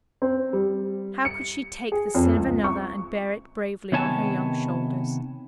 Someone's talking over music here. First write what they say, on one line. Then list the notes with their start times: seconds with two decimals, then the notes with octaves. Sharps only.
How could she take the sin of another and bear it bravely on her young shoulders?
0.22 C4
0.53 G3
1.25 C#7
1.92 G#4
2.15 F2
2.37 C#2
2.64 C#6
3.92 C3 D#3 B3 C#5 G#5 A5